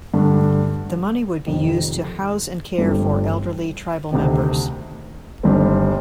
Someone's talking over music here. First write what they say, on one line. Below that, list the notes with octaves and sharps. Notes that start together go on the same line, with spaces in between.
The money would be used to house and care for elderly tribal members.
G2 D3 A3 D4
F1 F2 D#3
G1 G2 F3 A3 C4
D2 C3 D#3
G1 G2 D#3 G3 C4